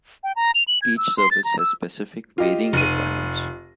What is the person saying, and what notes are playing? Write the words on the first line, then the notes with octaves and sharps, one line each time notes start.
Each service has specific varying requirements.
G5
A#5
F7
F#7
G#6
E6
C6
A6
A#5
E6
F4 G4 D#5
F1 D#7